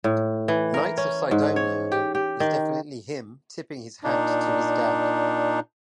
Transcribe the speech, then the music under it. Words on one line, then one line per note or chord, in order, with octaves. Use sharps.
'Knights of Cydonia' was definitely him tipping his hat to his dad.
A2
E3
A#4
C#4
G#2
C#5
G4
G4
D#3
A#2 D4 D#4